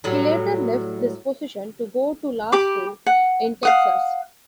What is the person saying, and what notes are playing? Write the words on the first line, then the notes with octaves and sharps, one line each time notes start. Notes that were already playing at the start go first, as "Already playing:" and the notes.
He later left this position to go to law school in Texas.
A2 F#3 G3
G4 B5 D6
F#5
F5 F#5 D#6